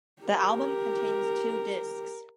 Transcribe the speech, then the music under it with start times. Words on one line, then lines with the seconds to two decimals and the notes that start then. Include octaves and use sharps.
The album contains two discs.
0.22 G4 A#4